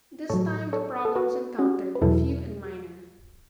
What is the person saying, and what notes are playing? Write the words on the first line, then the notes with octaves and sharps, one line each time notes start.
This time the problems encountered were few and minor.
A2 F#3 A4 C#5
A4 C#5
A4
F#4 B4
C#4 F#4
B4
E2 B2 F#3 E4 A4